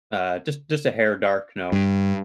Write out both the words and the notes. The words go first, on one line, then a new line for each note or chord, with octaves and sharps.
uh just just a hair dark no.
G2